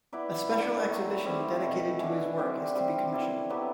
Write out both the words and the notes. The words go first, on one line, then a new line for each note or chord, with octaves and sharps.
A special exhibition dedicated to his work is to be commissioned.
B3 E4 B4 D5
D3 G3 B3 E4
D3 F#3 A3
G3 C4 E4 B4
B2 A3 E4 A4
E3 B3 D4
D3 G3 C4 G4
G3 C4 G4
B3 E4 A4 D5
F#3 B3 E4 G4